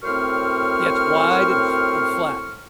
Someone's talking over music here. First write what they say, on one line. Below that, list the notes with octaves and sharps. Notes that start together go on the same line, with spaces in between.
Yeah, it's wide and fl and flat.
F#2 A2 C4 C5 C#6 F6